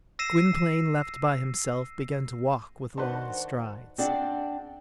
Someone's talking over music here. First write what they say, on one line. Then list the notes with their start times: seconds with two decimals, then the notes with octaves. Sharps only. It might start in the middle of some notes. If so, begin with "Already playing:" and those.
Gwynplaine, left by himself, began to walk with long strides.
0.19 E6 A#6 C7 D#7 E7
2.98 D#3 D4 F#4 B4 C5 F#5 A5 C6
3.98 C4 D4 G#4 D5 F#5